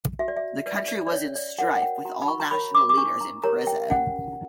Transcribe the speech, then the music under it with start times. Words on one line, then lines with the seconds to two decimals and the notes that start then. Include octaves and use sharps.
The country was in strife with all national leaders in prison.
0.19 F#4 E5
0.28 D5
0.37 E5
0.66 B4 D5
0.77 E5
0.88 D5
1.07 D5
1.12 C#4 C#5
1.35 D5
1.58 F#4 A#4 C#5 F#5
1.76 F#5
1.82 G5
2.05 F#4 A#5
2.22 B5
2.28 C#6
2.40 A#5
2.51 A#4 C#5 B5
2.75 D6
2.89 D6
2.97 D4 C#6
3.21 A#5
3.44 G4 A#4 C#5 A#5
3.67 G5
3.90 C#4 F#5